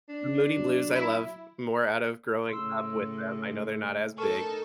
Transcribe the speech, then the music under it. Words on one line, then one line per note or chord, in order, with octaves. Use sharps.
Moody Blues, I love, more out of growing up with them. I know they're not as big,
D4
F#3
E4
A2 C#3 C6 E6
D#4 A4 A#4 C#6